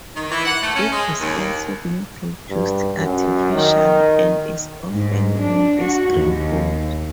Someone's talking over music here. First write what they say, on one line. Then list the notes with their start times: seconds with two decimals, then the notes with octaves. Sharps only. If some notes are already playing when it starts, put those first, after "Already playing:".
It has also been produced artificially, and is often known as green gold.
0.16 D#3
0.31 E3
0.45 F#5
0.62 A3
0.75 C#4
0.92 G#3
1.21 D#2
2.50 G2
2.99 F#2
3.55 D#3
4.91 G#2
5.41 D4
5.82 F#4
6.14 D#2